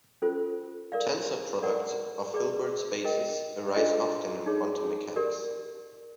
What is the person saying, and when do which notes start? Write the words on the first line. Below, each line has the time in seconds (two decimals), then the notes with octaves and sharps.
Tensor products of Hilbert spaces arise often in quantum mechanics.
0.22 C#4 F4 A4 C5
0.92 A#4 D5 F5
1.62 A#4 D5 F#5
2.34 G#4 B4 D5
3.04 A#4 D#5 G5
3.75 D4 F4 A4 C5 D#5
4.46 D#4 G#4 C#5
5.16 G4 A#4 D5